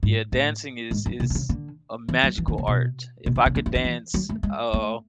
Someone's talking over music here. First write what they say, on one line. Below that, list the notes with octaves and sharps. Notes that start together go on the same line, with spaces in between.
Yeah, dancing is is a magical art, if I could dance oh,
G#2
A2
G#2
F#2
B2
D3
C#3
D3
E3
F#3
E3
D3
C#3
B2
B2
D3
C#3
D3
E3
D3
E3
F#3
A3
G#3
A3